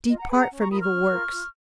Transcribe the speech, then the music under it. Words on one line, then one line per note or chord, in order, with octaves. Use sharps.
Depart from evil works.
F4 D#5
F#5 A#5
G#4 B4 G#5 B5
F#5 A#5
C#4
A#5 C#6
F4 A#4 B5 D#6
C#6 F6
C#4
F4 A#4
F4